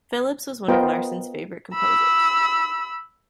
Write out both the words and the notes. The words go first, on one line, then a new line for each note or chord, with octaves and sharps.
Phillips was one of Larson's favorite composers.
B3 F4 A#4 C5 D#5 G5
B5 E6